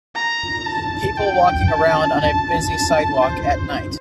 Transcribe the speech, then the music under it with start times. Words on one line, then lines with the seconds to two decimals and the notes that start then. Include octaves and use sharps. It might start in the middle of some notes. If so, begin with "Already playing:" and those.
People walking around on a busy sidewalk at night.
0.15 A#5
0.66 A5
1.17 G5
1.68 A5
2.20 A5
2.71 A5
3.22 C5